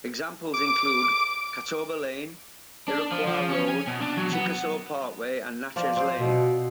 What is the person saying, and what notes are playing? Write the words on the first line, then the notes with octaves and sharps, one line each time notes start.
Examples include Catawba Lane, Iroquois Road, Chickasaw Parkway, and Natchez Lane.
D6
D4
F3
F3
C#4
G#5
B2
D4
F#3
B3
F3 F4 D5
C4 C5
B2